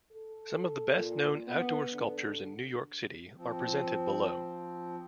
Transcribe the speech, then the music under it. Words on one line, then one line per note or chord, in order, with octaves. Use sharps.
Some of the best known outdoor sculptures in New York City are presented below.
A4
A#2
B3
D3
F3 C4